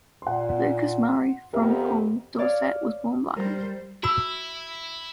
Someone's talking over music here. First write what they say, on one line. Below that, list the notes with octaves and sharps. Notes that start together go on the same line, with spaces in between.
Lucas Murray, from Poole, Dorset, was born blind.
A#2 F#5 C6
F2 B3 G4 A#4 E5 A#5
C#5 D5 F5
G3 A#4 C5
E4 F#4 B5 E6